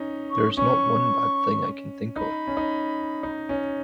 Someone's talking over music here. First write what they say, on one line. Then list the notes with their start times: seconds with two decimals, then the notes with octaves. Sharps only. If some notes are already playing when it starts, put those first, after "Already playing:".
There's not one bad thing I can think of.
Already playing: C#4 D#4
0.31 C#6
0.57 C#4 C#6
2.16 D#4 B5
2.47 C#4
2.57 D#4
3.23 D#4
3.49 C#4